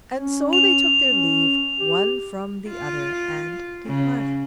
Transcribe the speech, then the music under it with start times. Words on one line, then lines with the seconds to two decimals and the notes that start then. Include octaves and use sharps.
And so they took their leave one from the other and departed.
0.15 C#4
0.53 F7
1.06 C#4
1.80 G4
2.69 F4
3.87 C#3